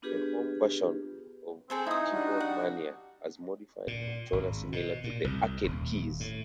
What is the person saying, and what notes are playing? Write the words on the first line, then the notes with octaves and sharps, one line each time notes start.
The Home Version of keyboardmania has Modified controller similar to the Arcade keys.
B3 D4 F4 G4 G#4 B4
C4 G#4 A4 C5
D#4 E4 D#6
G3 D4 F#4
F#5
A#2
G#1
B2
A#2
C2
D#1
A2